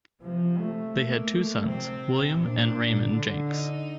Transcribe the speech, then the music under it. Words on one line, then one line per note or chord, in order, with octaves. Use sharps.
They had two sons, William and Reymond Jenks.
C3 F3
A3
A#3
A3
C3 C4
A#2 D4
D3
D#4